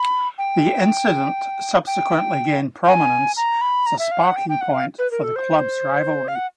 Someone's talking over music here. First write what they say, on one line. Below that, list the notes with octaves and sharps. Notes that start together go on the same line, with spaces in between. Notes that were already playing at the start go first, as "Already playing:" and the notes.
The incident subsequently gained prominence as a sparking point for the clubs' rivalry.
Already playing: B5
G5
G5
G#5
A#5
B5
A#5
E5
F5
F#5
G5
G5
F#5
F5
B4
A#4
A4
C5
F5
F#5